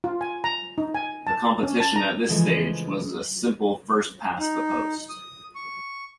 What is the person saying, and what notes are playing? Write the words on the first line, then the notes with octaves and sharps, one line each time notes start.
The competition at this stage was a simple first past the post.
F4
G#5
A#5
D#4
G#5
A5
C#4
A5
A#5
C#3 E3 F3 G#3 A3
D#4
D#6
C#6